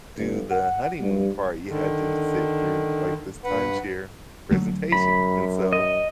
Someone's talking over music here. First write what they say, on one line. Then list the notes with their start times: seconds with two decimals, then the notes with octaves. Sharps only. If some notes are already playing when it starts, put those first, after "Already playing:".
do the honeymoon part, you had to sit through, like, this timeshare presentation, and so,
0.15 G1
0.51 F#5
1.00 G2
1.67 D3 D#3
3.44 G2 B4 F#5
4.51 D3 F#3 A3
4.92 F#2 B5
5.73 D#5